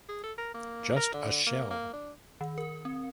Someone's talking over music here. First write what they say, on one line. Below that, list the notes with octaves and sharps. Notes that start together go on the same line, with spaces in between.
Just a shell.
G#4
A4
A#4
A#3
A#4
D3
A#3
A#3
D4
D#3
A#4
C4